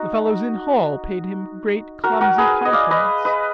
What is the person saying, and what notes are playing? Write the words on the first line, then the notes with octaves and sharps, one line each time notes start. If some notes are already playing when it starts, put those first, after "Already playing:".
The fellows in hall paid him great clumsy compliments.
Already playing: D#4 F#4
F#4 A#4
F#4 A#4
G#4 B4
D#5
D5 F5
B4 D#5
B4 D#5